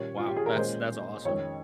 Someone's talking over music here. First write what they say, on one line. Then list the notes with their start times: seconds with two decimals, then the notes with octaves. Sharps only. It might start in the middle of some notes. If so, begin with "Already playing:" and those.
Wow. That's that's awesome.
Already playing: A#2 G3 A#3 C#4 C#5
0.17 F4
0.27 G4
0.36 G#4
0.46 A#4
0.56 A#2 G#3 C#4 C5
1.25 F2 D#3 G#3 C#4 C#5